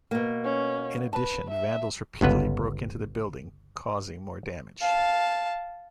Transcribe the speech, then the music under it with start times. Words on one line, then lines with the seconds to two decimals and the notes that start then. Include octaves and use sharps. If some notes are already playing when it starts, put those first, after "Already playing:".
In addition, vandals repeatedly broke into the building, causing more damage.
0.11 B2 A#3
0.44 C#4
1.13 B4 A5
1.50 E5
2.21 G1 C#2 B3 B4
4.82 F5 A5